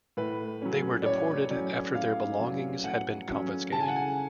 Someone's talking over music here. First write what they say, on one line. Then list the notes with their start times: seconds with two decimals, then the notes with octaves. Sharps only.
They were deported after their belongings had been confiscated.
0.17 A2 B4
0.62 F#3 C#4
1.02 D5
1.06 A2 C#5
1.50 F#3 C#4 D5
1.95 A2 F5
2.40 F#3 C#4
2.84 A2 F#5
3.28 F#3 C#4
3.72 C#3 A5
3.80 G#5
3.88 F#5
3.96 G#5